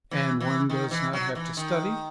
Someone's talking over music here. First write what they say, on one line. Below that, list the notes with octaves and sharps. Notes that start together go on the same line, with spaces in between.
"And one does not have to study?"
E3
E3
D#3
E3
F#3
E3
D#3